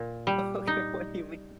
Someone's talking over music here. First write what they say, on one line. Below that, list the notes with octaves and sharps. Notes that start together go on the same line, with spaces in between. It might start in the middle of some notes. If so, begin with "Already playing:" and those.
Okay, what do you mean?
Already playing: A#2
G3
D#4